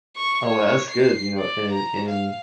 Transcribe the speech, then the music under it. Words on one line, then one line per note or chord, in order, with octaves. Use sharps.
Oh well, that's good, you know, and and,
C#6
C#5
C7
D5
A#5
F5